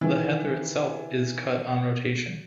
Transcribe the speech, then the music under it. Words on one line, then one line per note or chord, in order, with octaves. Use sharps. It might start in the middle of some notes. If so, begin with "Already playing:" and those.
The heather itself is cut on rotation.
D#3 E3